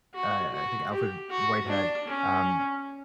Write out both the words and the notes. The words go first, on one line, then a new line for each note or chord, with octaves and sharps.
uh, I think, Alfred Whitehead, um,
F#4
F#4
G4
F#4
D4
C#4